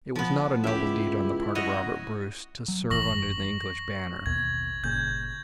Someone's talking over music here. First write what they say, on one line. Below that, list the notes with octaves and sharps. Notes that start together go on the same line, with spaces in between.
It was not a noble deed on the part of Robert Bruce to serve under the English banner.
F3 B3
C#2 E4 G4 E5
F#4 C#5 D#5
F#3
F#1 F#2 E3 C#6 A#6 F#7
A1 D#2 B2 G#6
G1 A#2 C#3 G6 G#6